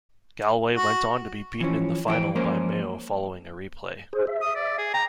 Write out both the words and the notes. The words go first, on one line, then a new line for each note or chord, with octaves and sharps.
Galway went on to be beaten in the final by Mayo following a replay.
F#4
E3 F3 C#4
F2 E3 G4 C5 G5
F3 G#3 A#3 C#4 A#4 C5
G#4 C5
E5
D#6
D5
G#4
G5 A#5